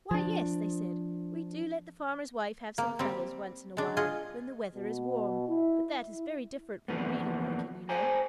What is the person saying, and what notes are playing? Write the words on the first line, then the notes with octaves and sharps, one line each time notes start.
"Why, yes," they said, "we do let the farmer's wife have some feathers once in a while, when the weather is warm, but that is very different from really working, you know."
F3 D4
A#3
G3 C4
G#3 D4
F4 G#4 D#5
B2
E4
E4
F2 E3 A#3 B3
C5 G5 G#5 A#5